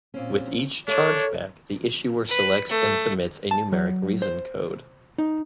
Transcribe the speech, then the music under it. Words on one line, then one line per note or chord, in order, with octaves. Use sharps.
With each chargeback the issuer selects and submits a numeric reason code.
A#2 C4 C#4
D4 A4 A#4 C#5 E5
B4
A3
A5
F#3
C5
D#4